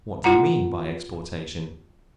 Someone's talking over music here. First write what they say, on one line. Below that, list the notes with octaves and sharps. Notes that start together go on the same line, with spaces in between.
What do you mean by Exportation?
E4 F4 F#5 A#5